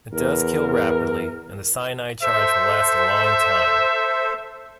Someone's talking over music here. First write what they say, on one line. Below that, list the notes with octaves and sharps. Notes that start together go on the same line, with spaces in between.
It does kill rapidly and the cyanide charge will last a long time.
E2 A#4
A4 C5 E5